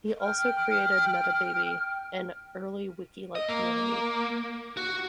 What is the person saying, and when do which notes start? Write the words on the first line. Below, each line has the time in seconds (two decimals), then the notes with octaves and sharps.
He also created Metababy, an early wiki-like community.
0.21 G5 F6
3.35 D#5
3.48 A#3
4.77 F#4